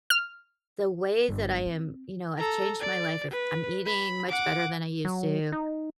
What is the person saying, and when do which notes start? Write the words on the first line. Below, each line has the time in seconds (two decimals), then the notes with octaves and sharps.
the way that I am You know, I've changed my life, I've I'm eating much better than I used to,
0.10 F6
1.29 G1
1.66 C4
2.38 A4 A#5
2.80 D5
3.31 B4
3.86 B5
4.29 F#5 D6
5.05 F#3
5.52 D#4